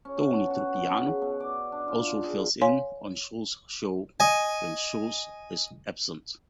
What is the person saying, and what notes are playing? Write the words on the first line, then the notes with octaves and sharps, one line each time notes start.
Tony Trupiano also fills in on Schultz's show when Schultz is absent.
C#4
B2
A5
F#4
B2
C#3
B2
D5
D4
F4
F4
G#4
C#5 F5 G#5 C6
D#5 G#5